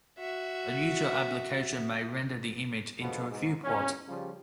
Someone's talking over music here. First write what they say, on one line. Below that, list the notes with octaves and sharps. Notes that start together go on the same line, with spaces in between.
A user application may render the image into a viewport.
F#4 E5
B2 D3 F3 G#3 B3
G#2
E2 G2 A#2 C#4
C#3 F3 G3